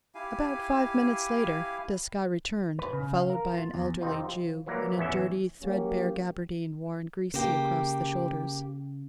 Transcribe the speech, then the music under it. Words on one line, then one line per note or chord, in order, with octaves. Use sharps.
About five minutes later, Desgas returned, followed by an elderly Jew, in a dirty, threadbare gaberdine, worn greasy across the shoulders.
E4 G4 F5 G#5
B4
C#3
F5
A#4
F4
E2
F2 C3 C4 D#4 F4
F3
E3 F#3 A#3 D5 A#5
A1 E2 E3 C#4 E5
F#3 A#3 C#4 G4
C#3 A#3 G4